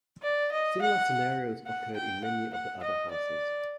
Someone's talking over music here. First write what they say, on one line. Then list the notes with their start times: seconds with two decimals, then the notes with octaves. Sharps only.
Similar scenarios occurred in many of the other houses.
0.23 D5
0.52 D#5
0.81 F#5
1.67 F#5
1.96 G5
2.24 F#5
2.53 F#5
2.83 D#5
3.11 D5